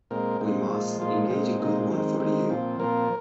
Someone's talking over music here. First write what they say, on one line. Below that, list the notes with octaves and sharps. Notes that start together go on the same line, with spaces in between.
We must engage a good one for you.
A#2 G#3 C4 A#4
A#2 G#3 C4
A#2 F3 G#3
A#2 F3 G#3 F4
A#2 G#3 C4
A#2 G#3 C4 D#4
D#3 G#3 C4
D#3 G#3 C4
A#2 F3 C4
A#2 F3 C4 A#4